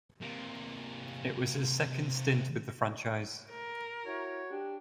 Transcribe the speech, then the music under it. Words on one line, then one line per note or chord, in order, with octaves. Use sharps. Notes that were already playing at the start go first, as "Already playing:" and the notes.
It was his second stint with the franchise.
C3 A#3
A#4
E4 F#4 C#5
D4 G4